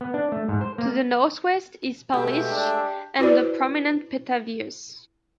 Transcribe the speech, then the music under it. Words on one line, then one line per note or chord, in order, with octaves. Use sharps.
To the northwest is Palitzsch and the prominent Petavius.
B3
D4
A3
G#2
C5
A#3
B2 G#3 A3 G4 E5
D4
E4 F#4 B4 C5 D5